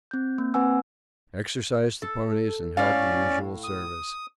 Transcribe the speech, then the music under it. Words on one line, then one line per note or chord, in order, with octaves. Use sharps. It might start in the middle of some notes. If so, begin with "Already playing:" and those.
Exercised the ponies and held the usual service.
C4 G6
A#3
A#3 C4 B4 F#5 G#5 E6
A4
A2 C#4 D5 F5
D#6